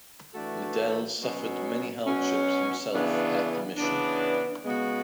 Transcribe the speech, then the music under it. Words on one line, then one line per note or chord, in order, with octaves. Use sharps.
Liddell suffered many hardships himself at the mission.
E3 A3 D4 F#4 A4
B2 F#3 C#4
B2 F#3 C#4
C#3 E3 B3 D4
C#3 E3 B3 D4
C#3 G#3 B3 F#4